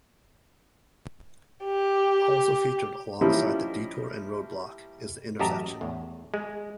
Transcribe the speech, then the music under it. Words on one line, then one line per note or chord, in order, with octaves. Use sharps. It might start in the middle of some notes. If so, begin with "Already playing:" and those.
Also featured alongside the Detour and Roadblock is the Intersection.
G4
F3 G3 A#3 C#4 D#4 E4
A1 F#2 G4 D#5 A5 A#5
E2 A2
G#3